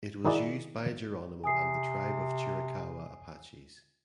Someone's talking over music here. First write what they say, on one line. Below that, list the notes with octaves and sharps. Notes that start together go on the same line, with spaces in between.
It was used by Geronimo and the tribe of Chiricahua Apaches.
D#3 D#4 E4 F#4 G#4 D5
C3 G#5 D#6 C7